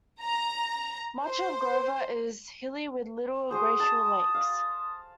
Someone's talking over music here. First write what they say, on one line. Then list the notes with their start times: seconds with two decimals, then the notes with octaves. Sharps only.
Much of Grover is hilly with little glacial lakes.
0.21 A#5
1.23 C5
3.51 F#4 G#4 C5 D#6
3.80 A5
4.34 F5